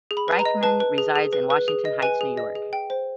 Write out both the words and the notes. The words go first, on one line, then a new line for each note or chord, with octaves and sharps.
Reichman resides in Washington Heights, New York.
G#4
B5
B4
A#5
D#5
B4 A5
B4
G#4
G#4
B4
B4
G#4
D#5
B4 G#5
G#4
D#5
G#4
G5
C5